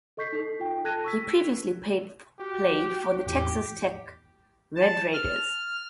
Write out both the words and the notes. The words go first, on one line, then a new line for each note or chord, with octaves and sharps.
He previously played for the Texas Tech Red Raiders.
A4 D#5 C#6 G6 B6 C7
D#4 A4
F4 G5
A4 A5 F#6 G#6 A#6 D#7
C#6 E6 B6
F#4 G4
E2 A2 G4
A5
F6